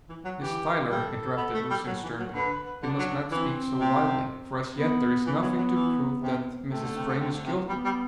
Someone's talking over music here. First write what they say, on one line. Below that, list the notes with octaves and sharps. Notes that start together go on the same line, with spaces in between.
"Miss Tyler," interrupted Lucian sternly, "you must not speak so wildly, for as yet there is nothing to prove that Mrs. Vrain is guilty."
E3
F#3
E3 G4
G3 A4
B3
A3
G3
F#3
E3
F#3
D3 B4
D3 D4
F#3
E3 C4
C3
B3
E3 B3
F#3
F#3
E3
C3
C3 A3
D3
C3
D3
C3
D3
C3
G3 B3
G3